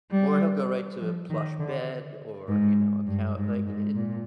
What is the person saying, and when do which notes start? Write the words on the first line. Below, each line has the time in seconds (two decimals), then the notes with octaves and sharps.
Or he'll go right to a plush bed or, you know, a cou like, i it
0.11 G3
0.99 F3
1.30 D#3
1.59 D3
2.48 G#2
3.07 G2
3.37 G#2
3.67 G#2
3.95 A#2